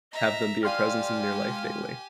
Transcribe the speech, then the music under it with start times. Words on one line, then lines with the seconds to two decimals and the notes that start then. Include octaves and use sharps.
have them be a presence in your life daily.
0.13 D#5 E5 A#5
0.63 G4 D5 F5 G#5 C6 F6
1.31 G#3